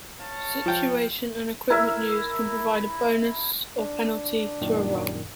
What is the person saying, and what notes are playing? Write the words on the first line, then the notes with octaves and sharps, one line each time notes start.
Situation and equipment used can provide a bonus or penalty to a roll.
C#5 F5 A5
F3 G5
E4 A#4 E5
D4
F#2 A#2 D#3